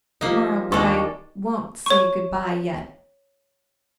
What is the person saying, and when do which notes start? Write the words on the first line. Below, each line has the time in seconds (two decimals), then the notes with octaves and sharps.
Tomorrow--but I won't say good-by yet.
0.21 F3 A#3 D#4 G4 E5
0.72 D#2 D#3 G#3 D4 A4 C#6
1.86 C#5 C#6